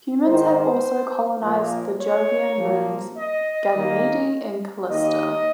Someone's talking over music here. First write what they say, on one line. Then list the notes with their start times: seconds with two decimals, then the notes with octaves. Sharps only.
Humans have also colonised the Jovian moons Ganymede and Callisto.
0.25 G#2 D#3 G#3 C5
1.41 A#2 F3 A#3
1.99 C#5
2.57 A#2 F3 A#3
3.15 D#5
3.73 D#2 D#3 A#3
4.89 D#2 D#3 A#3 D#5